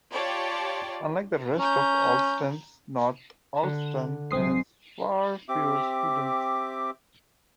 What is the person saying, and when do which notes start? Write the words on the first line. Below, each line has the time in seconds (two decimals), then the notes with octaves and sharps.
Unlike the rest of Allston, North Allston has far fewer students.
0.12 F4 G4 C#5 D5 A5
1.59 C#4 A#5 G6
3.63 D3
4.31 B1 G#2 F#3 C4 D#6 C7
5.49 C4 G4 E5 D6